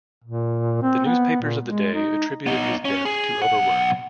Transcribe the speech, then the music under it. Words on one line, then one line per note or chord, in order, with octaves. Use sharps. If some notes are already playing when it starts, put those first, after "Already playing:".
The newspapers of the day attributed his death to overwork.
A#2
C4
B3
A#2
G#3
D#4
B3 D#4
C#4
G#4
B1 F#5